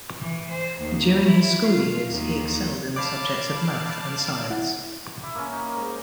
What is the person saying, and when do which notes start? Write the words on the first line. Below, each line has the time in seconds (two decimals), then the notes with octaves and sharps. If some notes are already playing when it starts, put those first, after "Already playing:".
During his school years, he excelled in the subjects of math and science.
0.20 E3
0.50 C5
0.80 D#2
1.26 E4
1.67 F4
2.11 D#2
2.96 D5 F5 A5 B5 D6
4.50 E4 F#5
5.21 E4 D6
5.35 A#3 C#4
5.52 D#4
5.76 G#2